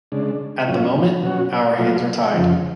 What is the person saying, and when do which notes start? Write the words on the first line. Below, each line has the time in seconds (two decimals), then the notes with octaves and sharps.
At the moment, our hands are tied.
0.12 C#3 G#3 D4
0.68 A2 F#3 C#4 F4
1.22 B2 F#3 C#4 F#4
1.78 B2 F#3 A3 F4
2.33 F2 C#3 F3